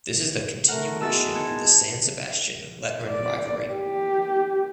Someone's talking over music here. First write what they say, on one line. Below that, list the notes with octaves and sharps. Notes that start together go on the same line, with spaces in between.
This is the continuation of the San Sebastian–Letran rivalry.
A3 A#4 F#5
G#3 B3 E4 F#4 A5 E6 A6
B3 D#4 A5 G#6 C#7
D5
G4